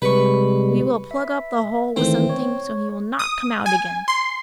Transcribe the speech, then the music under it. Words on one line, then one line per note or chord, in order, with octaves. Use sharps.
"We will plug up the hole with something, so he will not come out again!"
C3 G3 G#3 B4 C#6
E5
D#3 E3 A3 C4
C#5
D#6
G#5
C6